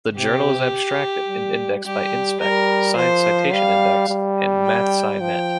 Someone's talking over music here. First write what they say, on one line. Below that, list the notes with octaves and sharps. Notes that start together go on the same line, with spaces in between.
The journal is abstracted and indexed by Inspec, Science Citation Index, and MathSciNet.
C3 G4
G3
G3 G4
G3 A#4
F3 C5
G3 F5
G3
G5
F3 G5